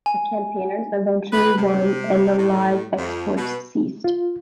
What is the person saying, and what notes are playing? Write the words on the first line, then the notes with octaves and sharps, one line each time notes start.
The campaigners eventually won and the live exports ceased.
G#5
B4
C3
A2
F2
B2
F4